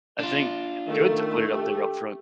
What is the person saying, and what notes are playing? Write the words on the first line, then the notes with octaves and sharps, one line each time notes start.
I think it's good to put it up there upfront.
D4 F4
D#3 A3
G4